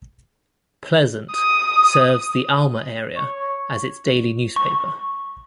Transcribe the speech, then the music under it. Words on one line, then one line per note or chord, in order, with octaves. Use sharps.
Pleasant, serves the Alma area as its daily newspaper.
D#6
C#5
C#6